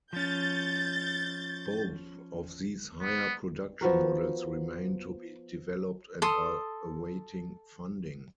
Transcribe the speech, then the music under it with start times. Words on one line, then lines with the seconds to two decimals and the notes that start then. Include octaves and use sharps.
Both of these higher-production models remain to be developed and are awaiting funding.
0.13 F3 C#4 G6 A6
3.02 B3
3.81 F3 B3 F#4 A#4
6.22 A4 C6 D#6